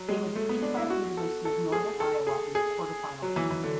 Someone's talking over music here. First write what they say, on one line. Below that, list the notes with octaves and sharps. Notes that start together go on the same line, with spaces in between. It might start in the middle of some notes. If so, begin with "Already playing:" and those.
They were defeated by the University of Northern Iowa in their quarterfinal game.
Already playing: F#3
G#3
A3
B3
D4
E4
F#4
A4
A4
G#4
A4
G#4
G#4
F#3
E3
E3
D3